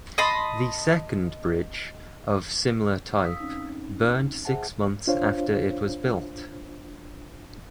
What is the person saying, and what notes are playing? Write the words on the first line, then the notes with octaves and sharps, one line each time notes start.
The second bridge, of similar type, burned six months after it was built.
D#5 A5 B5 C6
F5 D#6 E6 B6
C4 C#4 D#4
G#4 C5 E5 F#5 G#5 A5
D4 F4 C5 C#5 F5